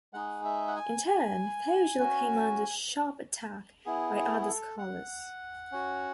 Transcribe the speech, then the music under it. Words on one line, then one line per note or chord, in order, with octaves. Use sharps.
In turn Fogel came under sharp attack by other scholars.
G#3 D#4 G#4 F#5
E5
F#5
G#5
G#5
C#4 F#4
B3 E4 G#4
G#4
G#4
A4
F#5
C#4 F#4